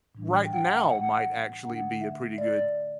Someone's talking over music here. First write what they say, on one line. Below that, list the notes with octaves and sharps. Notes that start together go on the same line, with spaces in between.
right now might actually be a pretty good
A2 E3 G3 D4
G5
F#5
F#5
D3 A3 D4 F#5
E5
D5